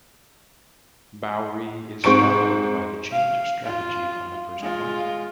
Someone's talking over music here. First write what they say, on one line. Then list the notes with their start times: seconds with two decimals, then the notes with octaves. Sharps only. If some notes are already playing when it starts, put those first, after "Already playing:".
Bowrey is startled by the change of strategy on the first point.
2.04 G#2 C4 C#6 D7
3.12 F5
3.64 F4
4.60 G#3 F4